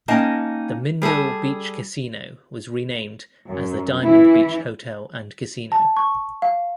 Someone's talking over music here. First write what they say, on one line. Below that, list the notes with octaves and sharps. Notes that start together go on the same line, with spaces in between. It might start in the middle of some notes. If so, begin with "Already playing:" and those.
The Mindil Beach Casino was renamed as the Diamond Beach Hotel and Casino.
A#3 C#4 D#4 D#5 G5 A5
G3 G#4 A4 A5
F#2
E3 E4
A5
C#6
F5